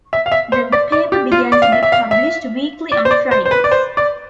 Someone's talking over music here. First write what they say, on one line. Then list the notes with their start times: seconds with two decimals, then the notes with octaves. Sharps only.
Then the paper began to be published weekly on Fridays.
0.13 E5
0.26 F5
0.32 E5
0.52 C5
0.72 D5
0.92 D5
1.12 G4
1.32 F4
1.52 D5
1.62 F5
1.72 E5
1.83 E5
1.92 F5
2.11 E5
2.92 D5
3.05 C5
3.11 D5
3.31 C5
3.46 C5
3.51 B4
3.64 D5
3.71 C5
3.97 D5